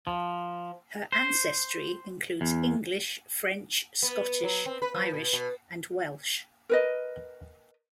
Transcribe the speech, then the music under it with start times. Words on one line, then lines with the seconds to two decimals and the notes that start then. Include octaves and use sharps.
Her ancestry includes English, French, Scottish, Irish, and Welsh.
0.07 F3
1.12 C5
2.41 E2
4.03 B3
4.43 F#3
4.66 C4
4.82 B4
4.94 F3
5.14 B2
5.33 B2
6.69 A#4 B4 D#5